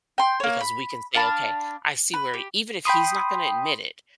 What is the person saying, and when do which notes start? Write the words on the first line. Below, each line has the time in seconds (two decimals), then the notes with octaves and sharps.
because we can say, "Okay, I see where even if he's not gonna admit it,
0.18 G5 C6
0.40 A#3 C#5
0.61 B5
1.14 D4 F5 A5 B5
2.13 B4
2.34 G4
2.85 G5 B5 C6 D#6